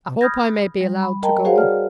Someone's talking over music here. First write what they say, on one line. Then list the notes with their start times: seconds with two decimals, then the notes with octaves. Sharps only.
'I hope I may be allowed to go?'
0.21 B5 D#6 F6 G6 G#6 A#6
0.81 G3
1.02 B5
1.23 A#4 D#5 G5 A5 A#5
1.45 F#4 G#4 C5 C#5 F5 F#5
1.56 D5 F6